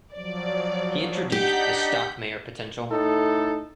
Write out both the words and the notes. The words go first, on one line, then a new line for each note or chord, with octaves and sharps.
He introduced the Stockmayer potential.
F3 F#3 D5
D4 D#4 G4 F#5 G6 B6
A2 D#4 A4